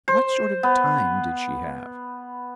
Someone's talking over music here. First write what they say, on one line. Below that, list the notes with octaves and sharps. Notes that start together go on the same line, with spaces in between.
What sort of time did she have?
C5
B3